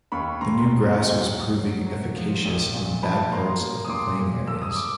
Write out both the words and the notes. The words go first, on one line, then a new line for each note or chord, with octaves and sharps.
The new grass was proving efficacious on bad parts of the playing areas.
D#2 B5 C#6
D#2 A#5 C6
F#3
D#2
F#3
F#3
F#3
F3
A#1
A#2
F3 A5 B5
A#3 A#5 C6
A#3
D#6
A#2 C6 D6
A#3
A#3 E6
D#6
D6